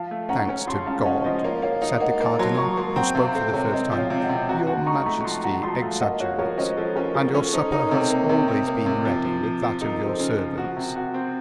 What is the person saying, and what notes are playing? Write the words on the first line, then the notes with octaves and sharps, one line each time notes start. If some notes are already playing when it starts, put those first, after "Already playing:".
"Thanks to God," said the cardinal, who spoke for the first time, "your majesty exaggerates, and your supper has always been ready with that of your servants."
Already playing: F3 F5 A5
A3
C#4 F#5 A#5
C#4
C#3 A5 C6
C#3 F5 A5
C#4 D#5 F#5
F3 C5 D#5
A#3 C#5 F5
A#3 C#5 F5
D#4 C#5 F5
A#3 D#5 F#5
A#3 F5 A5
F#3 A5 C6
F#3 A#5 C#6
A#3 A5 C6
C4 F#5 A#5
C3 F5 A5
C4 A4 C5
C3 A#4 C#5
C3 C5 D#5
F3
C#5 F5
C3
D#5 F#5
C3
F#4 F#5 A#5
F#4 A5 C6
D#4 A#5 C#6
A3 A#5 C#6
F3 A5 C6
F#4 F#5 A#5
F3 A5 C6
A3 F5 A5
A#3 D#5 F#5
F#4 C#5 F5
F3 A#4 C#5
C#4 C5 D#5
F3 A4 C5
C#4 A#4
F3 A#4
C#4 A4
D#4 A4 C5
D#4 A#4 C#5
C3 A4 C5
A#3
C3 A#4
C3
A#3
C3
F3
F3
F3
F3
D#4 A#4
F3
A4 C5
C#3
F3
F#4
C3
F#4
C4